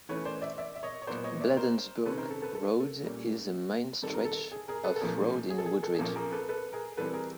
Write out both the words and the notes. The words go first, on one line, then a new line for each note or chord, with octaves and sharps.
Bladensburg Road is a main stretch of road in Woodrige.
E3 A3 C#4 B4 C#5
C5 D5
D5 E5
D5 E5
E5
C#5 D#5
C#5
A#2 F#3 B3 C5 D5
C#5 D#5
D5 E5
A#4 C5
C3 D#3 G#3 C#4 A4 B4
A#4 C5
A4
A4 B4
A4
A4
A#2 G3 A#3 C#4
D#3 G3 C4 A4
A#4
A4
G#4
G#4 A#4
A4 B4
A4
A#2 F3 A3 C#4 G#4 A#4
G#4
A4
G#4
A4
G#4
A#2 F3 A#3 C#4 A4
G#4 A#4
A4 B4
A4 B4
G#4 A#4
E3 G3 C4 A4 B4
G#4 A#4